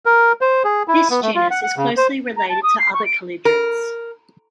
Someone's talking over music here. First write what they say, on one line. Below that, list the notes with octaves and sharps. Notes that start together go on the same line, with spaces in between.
This genus is closely related to other calidrids.
A#4
C5
G#4
E4
B3
A3
F4
F#5
F#5
C#3
C5
A#5
A5
D#6
C7
C#6
D7
A#4